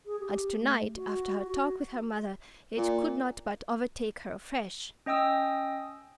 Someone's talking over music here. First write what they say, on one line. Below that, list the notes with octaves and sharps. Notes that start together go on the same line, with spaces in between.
And to-night, after her talk with her mother, it could not but overtake her afresh.
G#4
G4
A3
F#4
F#4
A#2
C#4 D#5 G5 D#6 E6